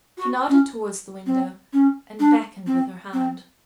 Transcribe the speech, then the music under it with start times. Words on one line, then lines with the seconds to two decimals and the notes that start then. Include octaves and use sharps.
She nodded towards the window, and beckoned with her hand.
0.18 F#4
0.49 C#4
1.26 C4
1.73 C#4
2.20 D4
2.67 C4
3.13 C4